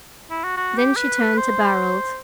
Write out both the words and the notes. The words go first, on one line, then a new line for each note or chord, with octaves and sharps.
Then she turned to Barold.
E4
F#4
F#4
G4
B4
C5